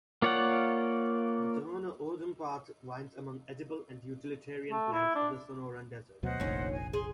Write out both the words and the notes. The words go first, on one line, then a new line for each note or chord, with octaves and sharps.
The Tohono O'odham Path winds among edible and utilitarian plants of the Sonoran Desert.
A#3 F4 C#5 D5 F#5
A3
E4
D4
D2 B2 F#3 C5 D#5 F#5
F1 A#1 D#2 C#4
G#5
G#4 C6